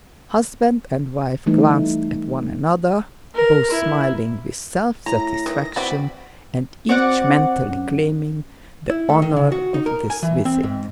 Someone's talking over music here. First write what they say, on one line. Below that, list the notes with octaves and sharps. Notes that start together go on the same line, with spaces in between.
Husband and wife glanced at one another, both smiling with self-satisfaction, and each mentally claiming the honor of this visit.
E3 G3 A3 D#4
A#4
E4
A2 A#5 A#6
D#3 E3
E3 C4 F#4 D5 B5
C4 F#4 C5 D5 F#5
F#2 C#4
E4
A3
D#3
C#3
F#4
D#4
A#4
G#5
E3
C4
G#2